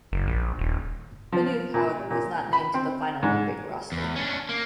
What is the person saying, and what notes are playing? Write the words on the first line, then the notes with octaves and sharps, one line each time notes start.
Phaneuf, however, was not named to the final Olympic roster.
F#1
A#1
D#1
F3
A#2
A#2
B5
C4
G#2
E2
C#4 D4
A#3